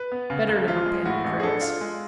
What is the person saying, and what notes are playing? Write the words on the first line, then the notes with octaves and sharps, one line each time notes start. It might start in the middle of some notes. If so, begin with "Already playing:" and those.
"Better now," panted Griggs.
Already playing: B4
B3
C#3
C#2
F3 F4
G#3
A2 F#4
A1
G#4
D4 A4
F4
G#3